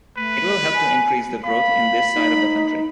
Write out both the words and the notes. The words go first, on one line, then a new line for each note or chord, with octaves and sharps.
It will help to increase the growth in this side of the country.
A3 B4
G#5
F5 B5
D#4